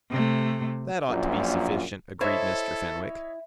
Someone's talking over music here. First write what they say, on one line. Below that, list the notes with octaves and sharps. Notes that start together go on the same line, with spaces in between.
"That ought to be sufficient," agreed Mr. Fenwick.
C3 A3
A#1 F#2 A#2
E4 A4 C5 C#5 D#5 E5